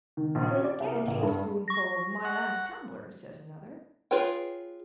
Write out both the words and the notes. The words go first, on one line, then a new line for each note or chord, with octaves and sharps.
"I didn't get a tayspoonful of my last tumbler," says another.
D#3
A#1
C#4
D5
C2
A#3
A1
G2
C#6 A#6
F#5
F4 G#4 B4 C#5 G5